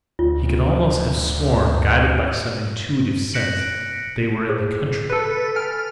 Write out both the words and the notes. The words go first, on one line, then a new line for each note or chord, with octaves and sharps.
He could almost have sworn, guided by some intuitive sense, that they were in the country.
D2 F4
F#6 A#6 B6 C#7 D7 F#7
G#4 C5
A4 B4
G#5 F6